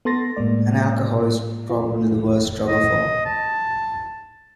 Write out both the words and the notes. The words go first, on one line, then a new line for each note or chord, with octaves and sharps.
And alcohol is probably the worst drug of all.
B3 A4 C6 A6 A#6
A2 G#3 A#3 D5
F4
D#5
A5